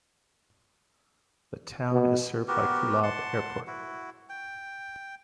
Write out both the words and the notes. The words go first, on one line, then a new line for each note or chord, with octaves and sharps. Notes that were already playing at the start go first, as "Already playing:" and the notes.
The town is served by Kulob Airport.
B2
B3 F#4 G4 A#4
F#5 A5 C6
E4 F#4
G5